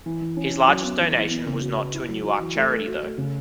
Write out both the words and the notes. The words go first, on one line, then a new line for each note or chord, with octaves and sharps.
His largest donation was not to a Newark charity though.
E3
E3
C#4
C#4
F#3
B3
E3
E3
B3
C#3
F#4
B4
E4
F#3
F#4
E3
A3
A4
F#4
A3
C#3